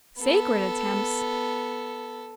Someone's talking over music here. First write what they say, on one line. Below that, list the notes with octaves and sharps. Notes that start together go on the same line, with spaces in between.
Sacred attempts!
B3 A4